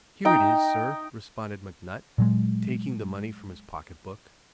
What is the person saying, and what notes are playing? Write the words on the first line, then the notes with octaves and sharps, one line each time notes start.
"Here it is, sir," responded McNutt, taking the money from his pocket-book.
D#4 G5
A#2 F#3 G#3